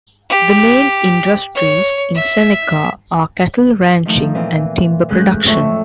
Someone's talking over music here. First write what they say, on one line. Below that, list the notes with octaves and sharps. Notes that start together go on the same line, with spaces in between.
The main industries in Seneca are cattle ranching and timber production.
G4
C#5
E5
D#3 F3 A3 D#4
A#2 E3 C4
A2 G#3 C#4 F#6 G6
F2 A3 C#5 E5 C#6